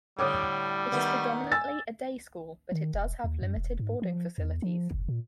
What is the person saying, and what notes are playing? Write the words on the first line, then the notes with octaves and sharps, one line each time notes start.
It is predominantly a day-school, but it does have limited boarding facilities.
A2 D3 G3 C#5 D6 D#6
D#3 A3 B3
G#5 E6 A6
D#3
E1
D#2
F#2
E1
G#2
F3
E2
F3
F#1
A#2